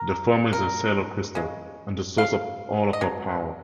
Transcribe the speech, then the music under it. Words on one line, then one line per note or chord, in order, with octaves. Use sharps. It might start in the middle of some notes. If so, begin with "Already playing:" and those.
The former is her Sailor Crystal and the source of all of her power.
Already playing: A#4
A#4
C#3 G#3
F5
D#5
B2 F#3